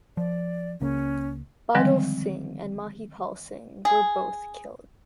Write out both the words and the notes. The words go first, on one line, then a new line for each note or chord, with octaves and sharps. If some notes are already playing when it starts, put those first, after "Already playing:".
Badal Singh and Mahipal Singh were both killed.
F3 D5
C#2 C#3 A#3 C#4
D3 D#3 F3 G3 G#3 C4
G#4